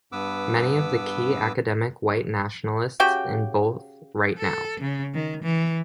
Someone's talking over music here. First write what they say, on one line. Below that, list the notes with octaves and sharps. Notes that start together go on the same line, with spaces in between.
Many of the key academic white nationalists in both Right Now!
G2 B3 B4 D6 E6
C#3 F#4 G4 G5
A4
C#3
D#3
E3